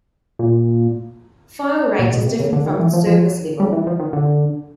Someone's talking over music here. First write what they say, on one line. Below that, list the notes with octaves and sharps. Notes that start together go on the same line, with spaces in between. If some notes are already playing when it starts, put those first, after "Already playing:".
File rate is different from service level.
A#2
A#2
B2
C3
C#3
D3
D#3
E3
F3
F3
G3
E3
F3
D#3
D3